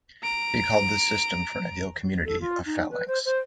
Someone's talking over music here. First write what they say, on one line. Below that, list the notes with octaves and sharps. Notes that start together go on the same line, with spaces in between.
He called this system for an ideal community a "Phalanx".
A#5 D7
A4
F4
D#4
B4
C5
C5